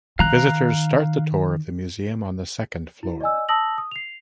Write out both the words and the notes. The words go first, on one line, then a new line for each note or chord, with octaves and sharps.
Visitors start the tour of the museum on the second floor.
D#3 F5 A#5 F#6
E4
D5 D#5 G#5 E6
A5 D#6 E6 A#6 F#7
D#6
C7 F7